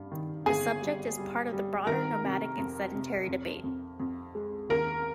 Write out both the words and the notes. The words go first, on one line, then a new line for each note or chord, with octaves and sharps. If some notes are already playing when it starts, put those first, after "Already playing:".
The subject is part of the broader "nomadic" and "sedentary" debate.
Already playing: G2
D#3
G1 G#4 G#5
G3
G3
G3
D#3 A#4 A#5
C3
F2
C3
F2
F2
F2
G#3
D#2 A#4 A#5